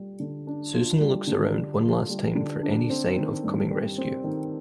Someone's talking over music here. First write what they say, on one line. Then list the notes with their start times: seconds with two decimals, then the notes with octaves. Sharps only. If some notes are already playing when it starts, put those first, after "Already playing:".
Susan looks around one last time for any sign of coming rescue.
Already playing: G3 F4
0.20 D3
0.47 D4
0.73 F4
1.00 G3
1.27 D3
1.54 D4
1.82 F4
2.09 G3
2.35 D3
2.63 D4
2.90 C4
3.16 D#3
3.44 G2
3.70 G3
3.98 C4
4.24 D#3